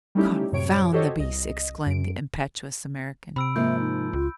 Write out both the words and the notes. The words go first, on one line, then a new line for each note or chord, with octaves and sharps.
"Confound the beasts!" exclaimed the impetuous American.
G3 A3 C#4 D#4 E4 G4
F#2 A2 C3 C#5 D7
F#4 G4 A4 C5 C#5 D#5
C2 D#5
F#2 D7
C3 B5 E6 D7
G#2 F3 A#3 E5 G6
D#4
C#2 F4